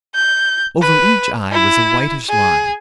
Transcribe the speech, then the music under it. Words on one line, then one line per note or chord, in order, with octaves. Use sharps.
Over each eye was a whitish line.
G6
B4
E4
G#4